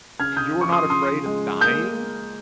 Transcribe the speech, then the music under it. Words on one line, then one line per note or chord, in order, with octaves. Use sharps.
you're not afraid of dying,
C#3 F6 G#6
D#6 G6
F3
C#6
C6 D#6
C#3 C6 D#6
G#3
A#3 D#6 G6